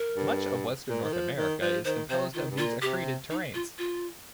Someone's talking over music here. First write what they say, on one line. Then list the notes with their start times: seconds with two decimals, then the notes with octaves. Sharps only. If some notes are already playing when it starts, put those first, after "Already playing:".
Much of western North America is composed of these accreted terranes.
Already playing: A#4
0.16 G2
0.89 A#2
1.03 D#3
1.13 F3
1.37 D#3
1.61 F3
1.85 D#3 C5
2.09 C3 C5
2.34 D#3 F4
2.50 G2
2.58 A#2 F4
2.82 C3 G4
3.30 D#4
3.54 F4
3.78 F4